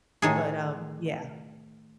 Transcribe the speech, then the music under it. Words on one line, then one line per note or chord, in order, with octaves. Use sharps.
But, um, yeah.
A2 D#3 G#4